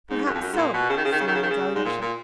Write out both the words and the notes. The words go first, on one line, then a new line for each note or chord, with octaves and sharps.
"Perhaps so," smiled Alyosha.
G#2
F#2
F2
F#2
G#2
A#2
B2
C#3
D#3
C#3
D#3
C#3
D#3
C#3
D#3
C#3
G#2
A#2
A#2